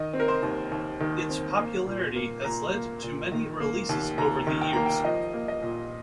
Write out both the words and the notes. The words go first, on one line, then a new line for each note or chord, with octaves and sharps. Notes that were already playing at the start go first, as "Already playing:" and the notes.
Its popularity has led to many releases over the years.
Already playing: D#3 D#5
C4
A#4
C5
D#2
D#2
D#3
C4
A#3
A#2
A#3
A#2 A#5
A#3
A#2
D#3
A#3
D#2
D#2 A#5
D#3
G5
A#3 A#5
G5
F3 D#5
A#3
D#5
A#2